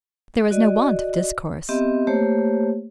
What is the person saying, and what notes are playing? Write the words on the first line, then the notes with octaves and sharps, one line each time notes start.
There was no want of discourse.
F#4 D5 D#5
B3 C4 G4 D#5 E5
A3 A#3 G4 C5 C#5